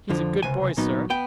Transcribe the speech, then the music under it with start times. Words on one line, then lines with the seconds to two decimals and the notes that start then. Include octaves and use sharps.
"He's a good boy, sir."
0.10 F2 D3 F3
0.43 C#2 C3 G#5
0.77 A#2 F#3 B3 D#4
1.10 B3 G5